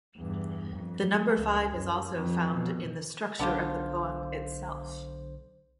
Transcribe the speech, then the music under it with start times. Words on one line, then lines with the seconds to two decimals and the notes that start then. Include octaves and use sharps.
The number five is also found in the structure of the poem itself.
0.18 E2 G2
0.76 F2
1.37 C#2
1.70 F#2
2.15 F2 F3
2.53 B2
3.39 B1 D3 B3 D4 F4 C5